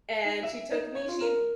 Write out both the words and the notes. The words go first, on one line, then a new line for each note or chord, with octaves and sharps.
and she took me She b
D#4
E5
D#4
C#5
F4
A#4